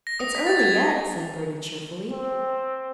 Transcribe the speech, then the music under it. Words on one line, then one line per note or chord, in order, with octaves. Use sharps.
"It's early yet," said Bertie cheerfully.
A#6
D#6
B6
A6
G#6
C4